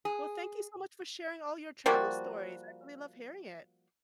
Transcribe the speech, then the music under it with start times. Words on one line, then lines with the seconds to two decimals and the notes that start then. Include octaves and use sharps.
Well, thank you so much for sharing all your travel stories, I really love hearing it.
0.05 G#4
1.86 F3 G3 A#3 F#4